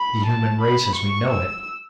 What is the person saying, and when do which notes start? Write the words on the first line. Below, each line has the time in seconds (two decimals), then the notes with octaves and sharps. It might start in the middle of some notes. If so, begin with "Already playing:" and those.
The human race as we know it.
Already playing: B5
0.27 A5
0.62 B5
0.96 C#6
1.31 E6